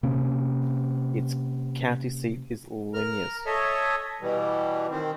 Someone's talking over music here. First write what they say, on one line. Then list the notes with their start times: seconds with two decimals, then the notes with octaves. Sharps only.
Its county seat is Linneus.
0.03 C3 A#3 C#4
2.94 A#4 F6
3.46 A4 C#5 D#5 E5
4.22 B2 E3 G3
4.90 D#3 C4